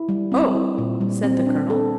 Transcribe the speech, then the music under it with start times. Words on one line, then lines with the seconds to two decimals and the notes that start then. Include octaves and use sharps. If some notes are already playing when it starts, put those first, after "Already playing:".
"Oh!" said the colonel.
Already playing: E4
0.09 G3
0.32 C4
0.55 E4
0.78 A#2
1.01 G3
1.24 C4
1.46 D4
1.70 A4